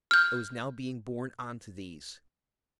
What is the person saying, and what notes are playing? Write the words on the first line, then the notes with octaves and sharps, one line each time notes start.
I was now being borne on to these.
F6 G6